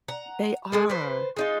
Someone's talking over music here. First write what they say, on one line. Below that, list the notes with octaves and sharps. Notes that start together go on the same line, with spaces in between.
They are.
F#5 A#5
G#3 G#4 A4
B4 C5
G#3 D#4 F4